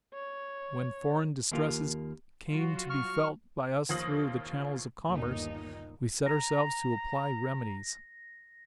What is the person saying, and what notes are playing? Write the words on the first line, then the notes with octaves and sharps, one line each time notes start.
When foreign distresses came to be felt by us through the channels of commerce, we set ourselves to apply remedies.
C#5
D#2 A#3 F4
F#3 F4 F#4
C#6 F6
D#2 F3 F4 D#6 A#6 F#7
G1 D#2 A#2 D#4
A#5 A#6